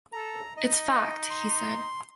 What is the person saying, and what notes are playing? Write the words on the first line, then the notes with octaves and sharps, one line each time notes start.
"It's fact," he said.
A4 A#5
D#4 D#5
C6